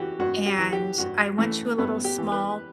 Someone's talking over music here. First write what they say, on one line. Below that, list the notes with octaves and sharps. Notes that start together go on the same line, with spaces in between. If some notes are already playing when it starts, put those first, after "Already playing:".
and I went to a little small
Already playing: E3 F#4 G4
G2 F#4
G4
E3
G4
G2 F#4
E3 A3
G2 B3
G4
E3
B4